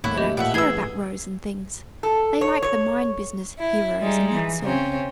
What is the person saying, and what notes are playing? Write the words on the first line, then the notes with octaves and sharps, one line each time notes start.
'They don't care about rows and things; they liked the mine business, heroes, and that sort.
D#2 A2 A3 E4 C#5 F#5
G4 D#5 G6
A#2 F3 E5 F#5 D6
A1 G#4 B4 E6 G#6 G7
A4
C#5
C#5
E4
G3 G#3 D#4
E3
C#3 C4 C#4